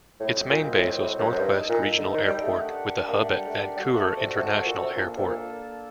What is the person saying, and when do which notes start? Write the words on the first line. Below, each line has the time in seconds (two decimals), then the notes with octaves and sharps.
Its main base was Northwest Regional Airport with a hub at Vancouver International Airport.
0.20 A2 G3 C4 F#4 C5 D#5
0.50 A#2
0.75 A#2
0.80 A2
1.00 A2
1.20 F#2
1.33 F#2
1.39 G2 D#4 A4 D#5
1.70 A#2
1.98 D3
2.14 D#3
2.28 G3
2.44 A3
2.58 D4 G4 A#4 F#5
3.08 A#3
3.18 A3
3.37 G3
3.47 A3
3.77 G3 D4 F#4 A4 C5 F#5
3.97 A3
4.17 C3
4.36 C3
4.50 C3
4.66 A#2
4.81 C3
4.95 A#2 A#3 D4 A4
5.17 C3
5.25 A#2